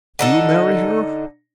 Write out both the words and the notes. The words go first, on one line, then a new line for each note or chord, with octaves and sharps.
"You marry her!"
D3 D#4 A4